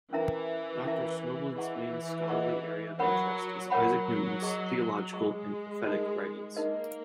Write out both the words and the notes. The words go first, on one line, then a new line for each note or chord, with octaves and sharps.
Doctor Snobelen's main scholarly area of interest is Isaac Newton's theological and prophetic writings.
E3 C#4 E4 A#4 E5 A#5
C#4 E4 A#4 E5 A#5
E3 G#4 D#5 F#5 A#5 C#6
G#4 D#5 F#5 A#5 C#6
F#3 A#4 C#5 F#5 B5
F#3 A#4 C#5 F#5 B5
G#4 D#5 A#5 C#6
G#3 G#4 D#5 A#5 C#6
D#4 A#4 D#5
A#3 D#4 A#4 D#5